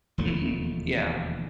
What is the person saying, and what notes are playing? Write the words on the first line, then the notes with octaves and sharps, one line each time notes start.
Mhm. Yeah.
E1 D#2 F3 A3